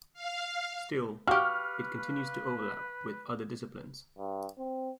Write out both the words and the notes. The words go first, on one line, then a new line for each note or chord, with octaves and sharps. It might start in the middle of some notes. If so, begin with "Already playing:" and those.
Still, it continues to overlap with other disciplines.
F5
F#4 G4 B4 F5 C#6 D6 F6
G2
C4